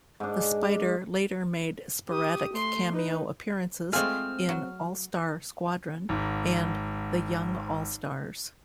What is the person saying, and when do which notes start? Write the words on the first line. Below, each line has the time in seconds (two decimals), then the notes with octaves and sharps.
The Spider later made sporadic cameo appearances in "All-Star Squadron" and "The Young All-Stars".
0.20 G#2 D4
2.09 G4 D#6
2.53 A3 C6
2.92 D#4 B4
3.93 G#3 A3 C4 F4 G#4 F6
4.49 F#3
6.09 G#1 G#2